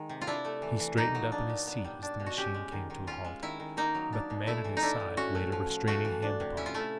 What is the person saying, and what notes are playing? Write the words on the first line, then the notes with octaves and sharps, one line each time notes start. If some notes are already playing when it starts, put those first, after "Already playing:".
He straightened up in his seat as the machine came to a halt--but the man at his side laid a restraining hand upon him.
Already playing: D#3 G#3
C3
F4
D4 E4
A3
E3
E3
A#3 D#4
F#3
D4
A#2
B3
G3
D4
B2
F#4
C#4 G4
G#3
D#3
D#3
C#4 F4
G#3
D#3 E4
D#3
A#3 D#4
F#3
D4
B2
A3 E4
E3
D#4
D4 E4
A2
C#4 F#4
A3
F3
F3
A3 F#4
E3
D4
C3
C#4 E4
F4
A3 E4